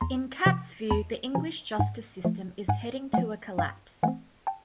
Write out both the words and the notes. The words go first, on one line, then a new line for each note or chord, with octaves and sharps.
In Catt's view the English justice system is heading to a collapse.
E2 A#5 C6
C3 F3
E2 A5 B5
C3 F3 G#5 A#5
G#2 F#5 G#5
F3 A3
G#2 F#5 G#5
F3 A3 F#5 G#5
G2 F5 G5
E3 A3 C4 F#5 G#5
G5 A5